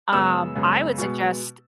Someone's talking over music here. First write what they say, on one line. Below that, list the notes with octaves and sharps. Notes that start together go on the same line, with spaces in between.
um, I would suggest,
F#2 C#3 G#3 B3 E6
F#2 C#3 G#3 B3
B2 G#3 B3